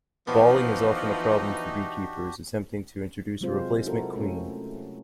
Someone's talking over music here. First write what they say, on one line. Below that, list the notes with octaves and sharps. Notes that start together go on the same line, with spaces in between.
Balling is often a problem for beekeepers attempting to introduce a replacement queen.
E3 F3 B3 D4 D#4 F#4 G4
C3 F#3 G#3 C4 F4 C5
E4 F#4 A4 A#4
A3 C#4